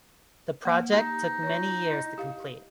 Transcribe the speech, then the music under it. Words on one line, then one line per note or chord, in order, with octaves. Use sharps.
The project took many years to complete.
A#3 F#5
D#4 G4
F4 C#5
E4 D#5
G4 F5